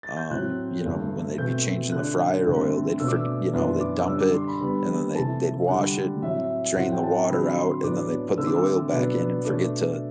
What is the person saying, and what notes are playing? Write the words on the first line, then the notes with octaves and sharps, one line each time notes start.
um, you know, when they'd be changing the fryer oil, they'd forg you know, they dump it and then they they'd wash it and drain the water out, and then they put the oil back in and forget to
A6
G6
A2 F#3 C4 F#6
G2 D3 A3
B2 A3 C4 G6
D3 A3 D4 F#6
G2 D3 A3 C4
B2 A3 D4 E6
D6
E6
F#2 E3 B3 D4 C6
D6
D3 G3 D4 E6
D6
C6
B5
D3 G3 B3 B5
C3 E3 A3 A5
D3 G3 D4 F#5
A2 F#3 C4 E5
A2 F#3 C4 F#5
G5
A5
D3 F#3 C4 B5
C6
A2 F#3 B3 D4 D6
D3 F#3 A3 C4 E6
D6
E6
B2 F#3 B3 D4
B2 A3 D4 D6